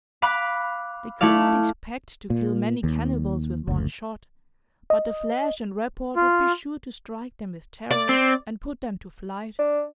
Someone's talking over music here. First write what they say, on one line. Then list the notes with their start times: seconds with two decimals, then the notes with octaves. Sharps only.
They could not expect to kill many cannibals with one shot, but the flash and report would be sure to strike them with terror, and put them to flight.
0.22 F5 B5 D6 F#6
1.21 A3 E4 D5 F5
2.30 A#2
2.84 D#2
3.67 F#1 D2
4.90 D#5
6.16 F4
7.91 D5
8.09 C4
9.59 D4